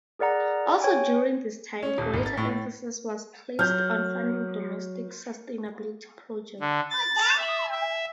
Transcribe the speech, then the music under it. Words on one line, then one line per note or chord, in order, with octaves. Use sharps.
Also during this time, greater emphasis was placed on funding domestic sustainability projects.
G#4 A#4 D5 F#5 A#5
C#5 G5 G#5
C#4
D#1
G#1
A6
A2
A2
F#3 F6 G6
D3
A6
E5
E5